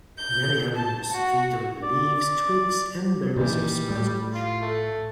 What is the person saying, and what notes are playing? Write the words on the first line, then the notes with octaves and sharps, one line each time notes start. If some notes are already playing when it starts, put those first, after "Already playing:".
Many animals feed on the leaves, twigs, and berries of spicebush.
G6
A5
F#4
D5
A#2 D#3 E3 G3
A2
F4 C6
A3